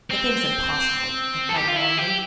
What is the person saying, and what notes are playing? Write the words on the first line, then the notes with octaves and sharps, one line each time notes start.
"The thing's impossible!" I cried warmly.
C4
A4
G4
F4
E4
G4